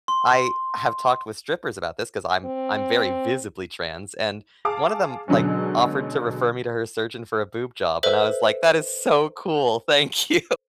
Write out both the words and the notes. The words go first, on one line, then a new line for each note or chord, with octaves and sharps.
I have talked with strippers about this 'cause I'm I'm very visibly trans, and one of them, like, offered to refer me to her surgeon for a boob job, and I was, like, "That is so cool. Thank you!"
C6
C4
G#4 F5 A5 D6
B2 D3 F#3 G#3 C#4
A4 B4 C5 E5